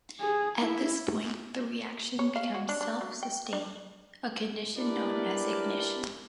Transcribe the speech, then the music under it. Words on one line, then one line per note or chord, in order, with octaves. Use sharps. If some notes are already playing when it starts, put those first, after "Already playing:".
At this point the reaction becomes self-sustaining, a condition known as ignition.
G#4
E4
C#5
F5
F#4
D4
D4
F#3
G5
D4
D4 E4 G4 A#4 B4 D5